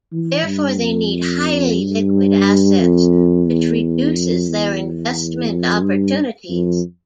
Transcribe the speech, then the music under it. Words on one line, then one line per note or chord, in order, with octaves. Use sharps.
Therefore they need highly liquid assets which reduces their investment opportunities.
E3
G2
F2
G2
F2
E2
F2
E2
F2
G2
F2